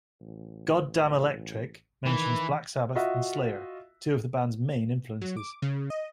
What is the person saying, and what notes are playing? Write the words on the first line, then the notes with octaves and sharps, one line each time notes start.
"Goddamn Electric" mentions Black Sabbath, and Slayer, two of the band's main influences.
A1
D#3 E3 B5
F4 F#4 D#5 E5
F#3
D6
C#3
D#5